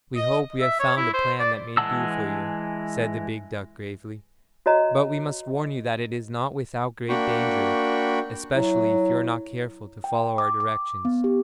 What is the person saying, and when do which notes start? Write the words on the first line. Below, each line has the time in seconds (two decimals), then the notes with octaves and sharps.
'We hope we have found a plan that may do for you,' said the big duck gravely, 'but we must warn you that it is not without great danger, especially if you are not careful to follow our directions.'
0.15 D#5
0.61 E5
0.80 C#5
0.97 E4
1.14 C5
1.39 D5
1.77 E3 G#3 F#5 A5 E6
4.66 F#4 C#5 D#5 A#5
7.09 A#3 D4 F#4 G5 B5 C#6
8.55 F#3 E4
10.04 G5
10.38 D6
10.60 D6
11.05 B3
11.24 G4